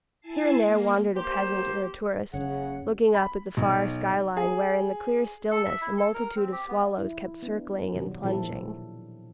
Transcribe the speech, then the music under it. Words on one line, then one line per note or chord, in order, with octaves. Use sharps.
Here and there wandered a peasant or a tourist, looking up at the far sky-line where, in the clear stillness, a multitude of swallows kept circling and plunging.
E4 G#5 A5 C7
A#3
A#3 G4 C5
F#1 C#3 G#4 C#5 F#5
B5
B1
G#4
A4
E5
E4
A4
A#4
C4
G4
B3
E4
B3 D4
B2 D#3 F#3 G3 F#4
A#2 F3 C4 E4 G4 A4